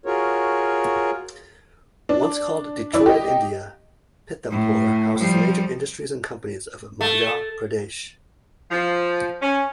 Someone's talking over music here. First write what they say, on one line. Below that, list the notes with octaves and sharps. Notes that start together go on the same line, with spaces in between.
Once called, 'Detroit of India', Pithampur houses major industries and companies of Madhya Pradesh.
F4 F#4 G#4 A#4 C#5
D4
E4 D5
G4 D#5
A2
F3 G3
A3
F3
C#4